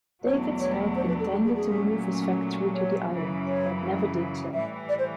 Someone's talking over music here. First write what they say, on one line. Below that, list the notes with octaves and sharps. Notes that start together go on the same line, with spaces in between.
Davids had intended to move his factory to the island but never did so.
E2 B2 F#3 A3 D4 C#5
C#5
C5
B4
A4
G#4
G#4
G#4
A#2 F#3 A3 C#4
C#5
F#2 C#3 E3
C#5
A2 E3 G3 E5
D5
C5